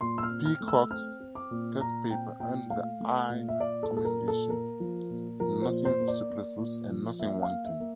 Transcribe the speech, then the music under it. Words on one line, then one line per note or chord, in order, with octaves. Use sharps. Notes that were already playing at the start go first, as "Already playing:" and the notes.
Peacock's test papers earned the high commendation, Nothing superfluous and nothing wanting.
A#2 C6
E6
F6
C4
F6
A3
E6
C4 F6
C4
D6
A#2
A#2 A#5
C4 G5
A#2 G5
A3 F5
A3
A#2
E5
A#2 D5
A4
A#2
A4
A#4
A#2
A4
A#3 A#4
F3
A#2
F3 A#4
C5
A#2
C5
A#3
D5
A#3
A#2
F3
A#3 E5
F5
A#3
E5
A#3